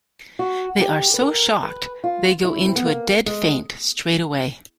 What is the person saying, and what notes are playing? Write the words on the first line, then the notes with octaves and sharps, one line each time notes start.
They are so shocked they go into a dead faint straight away.
F#4
G4
B4
A#4
B4
F4
E4
C#4
C4
B3
A#3
G#3